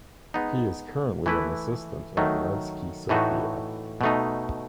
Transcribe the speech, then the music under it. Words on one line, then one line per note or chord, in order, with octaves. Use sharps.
He is currently an assistant at Levski Sofia.
G#3 B3 D#4
E3 A3 E4 B4
D#3 F#3 A3 D#4
A2 E3 A3 D#4 F#4
B2 A3 D#4